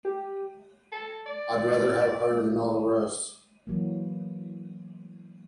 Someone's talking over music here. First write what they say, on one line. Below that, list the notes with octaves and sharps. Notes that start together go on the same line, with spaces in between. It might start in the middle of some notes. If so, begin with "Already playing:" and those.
I'd rather have her than all the rest.
G4
A4
D5
E3 F#3 A#3